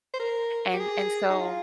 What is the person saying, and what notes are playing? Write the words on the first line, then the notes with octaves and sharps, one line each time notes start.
And and so
C5
A#4
G4
G#4
D#4
F4